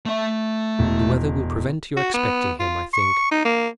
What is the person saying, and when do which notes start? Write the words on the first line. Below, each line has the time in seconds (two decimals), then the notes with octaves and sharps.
The weather will prevent your expecting him, I think.
0.05 A3 E5
0.79 E1
1.97 F#4
2.14 B3
2.59 F4
2.93 C#6
3.31 D#4
3.45 A#3